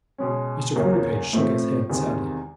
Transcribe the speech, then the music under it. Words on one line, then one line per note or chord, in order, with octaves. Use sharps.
Mr. Quarterpage shook his head sadly.
B2 G#3 C#4
E2 C#3 F#3 A#3 C#4
A2 F3 A3 C4
E2 C3 D#3 G#3